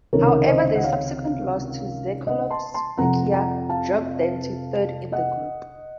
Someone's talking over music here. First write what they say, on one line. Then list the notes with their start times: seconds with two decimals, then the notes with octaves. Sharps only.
However, their subsequent loss to Czechoslovakia dropped them to third in the group.
0.13 C#2 C3 D#3 A#4 C#5
0.48 C5 D#5
0.75 F#5
0.84 C#5 F5
2.27 D#5 F#5
2.50 A5 C6
2.74 A5 C6
2.98 F2 C3 F3 F#5 A#5
3.33 F#5 A#5
3.69 F5 A5
5.12 D#5 F#5